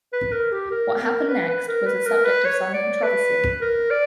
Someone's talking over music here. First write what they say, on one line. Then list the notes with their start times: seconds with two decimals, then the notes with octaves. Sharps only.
What happened next was a subject of some controversy.
0.13 B4
0.32 A#4
0.52 G4
0.71 A#4
0.99 A#4
1.29 B4
1.48 B4
1.68 A#4
1.87 B4
2.06 A#4
2.25 B4
2.45 C#5
2.74 D5
3.03 B4
3.61 A#4
3.90 D5